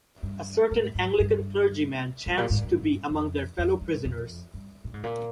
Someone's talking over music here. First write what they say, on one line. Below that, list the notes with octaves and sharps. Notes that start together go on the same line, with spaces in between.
A certain Anglican clergyman chanced to be among their fellow prisoners.
G2
G#2
G#2
G2
G2
A#2
G#2
G2
F2
F2
G2
F2
G2
A#2
G#2
A#2